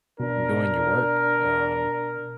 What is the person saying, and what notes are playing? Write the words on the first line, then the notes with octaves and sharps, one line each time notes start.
doing your work, um,
B2 D4 A#4